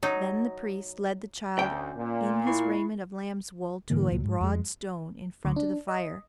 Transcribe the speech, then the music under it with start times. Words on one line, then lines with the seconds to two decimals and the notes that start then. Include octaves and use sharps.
Then the priest led the child in his raiment of lamb's-wool to a broad stone in front of the fire.
0.03 F#3 D#4
1.59 D2 C#4 G5
1.96 A#2
2.47 E4 C#6 C7
3.90 G#2 D3 E3 A#3
4.11 C#2 A#2 F#3
4.24 G#2
4.41 F2 G#3
5.45 D2
5.56 D4
5.88 D#5